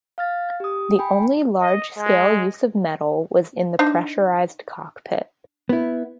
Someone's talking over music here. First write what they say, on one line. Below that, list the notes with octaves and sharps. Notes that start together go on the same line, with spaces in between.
The only large-scale use of metal was in the pressurized cockpit.
F5 F6 A6
G4 D#6
G5 G#5 B5
D#5
G#3
D4 D#4 C5
B3 E4